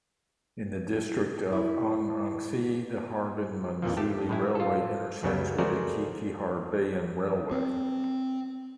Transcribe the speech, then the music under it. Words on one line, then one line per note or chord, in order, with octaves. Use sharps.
In the district of Ang'angxi, the Harbin-Manzhouli Railway intersects with the Qiqihar-Bei'an Railway.
E4
F2 A#2 E3 F3
A3 G4 A5
A2 G#3 E4
F4 A4
C#2 F#2 C#3 F#3 G3 B3
G#3 A3 F#4 A#4 C5 D5
C4